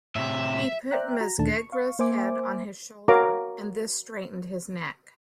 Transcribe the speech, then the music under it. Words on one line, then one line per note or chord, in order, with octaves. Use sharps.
He put Mesgegra's head on his shoulder, and this straightened his neck.
A2 C3 E5
C5 D5 E5 G5 A#5 F#6
F#4 A#5
D2 A#2 D#3 A3 D4 A5
C#6
F5 C#6
A#3 C5 E5 G#5 D6
F#4 A#4 C#5 F5 A#5 D6